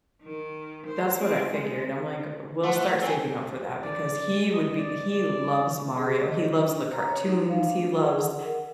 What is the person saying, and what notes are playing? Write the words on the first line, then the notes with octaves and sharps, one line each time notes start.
That's what I figured. I'm like, we'll start saving up for that, because he would be he loves Mario, he loves the cartoons, he loves
D#3
C5
C4
G#3
A3 F#5
C4 G#4 G5
D5
D#5
D5
D5
G#4
D#5
D4
A#5
C#5
D#4
F5
D4
G#4
F#5
A#4